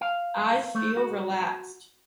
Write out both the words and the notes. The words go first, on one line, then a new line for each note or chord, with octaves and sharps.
I feel relaxed.
F5
A3
F#4